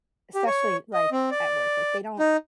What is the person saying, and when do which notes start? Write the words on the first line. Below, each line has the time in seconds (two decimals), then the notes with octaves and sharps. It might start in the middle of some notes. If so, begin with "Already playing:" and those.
especially, like, at work, like, they don't
0.35 G4
0.47 C#5
0.93 D#5
1.12 C4
1.31 D5
2.19 D#4